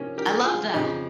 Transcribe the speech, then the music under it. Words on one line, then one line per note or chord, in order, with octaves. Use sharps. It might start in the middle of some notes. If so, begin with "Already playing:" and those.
I love that.
Already playing: C3 F3 A#3 C#4
G4 A#4
F4 G#4
F2 C#3 F3 D#4 G4